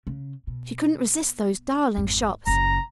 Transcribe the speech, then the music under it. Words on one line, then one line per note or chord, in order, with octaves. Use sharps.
She couldn't resist those darling shops.
C#3
B2
G#1 F2
F#1 C#3 A#5